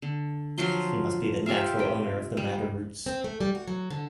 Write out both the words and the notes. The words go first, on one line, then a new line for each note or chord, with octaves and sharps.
He must be the natural owner of the madder roots.
D3
F3 F#3 F4 C6
F4 G4 E5 F5
C3 G5
G3
C4
A3
G3
F#4
F#3
D3